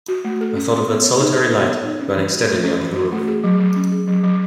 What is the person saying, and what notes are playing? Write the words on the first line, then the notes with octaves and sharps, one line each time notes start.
I thought of that solitary light burning steadily under the roof.
F#4
A3
A4
C#4
A4
B3
C#5
D#4
A4
B3
C#5
D#4
C#4
E3
F#4
A3
C#4
E3
F#4
A3
G#4
F#3
F#3
C#4
G#4
F#3
F#3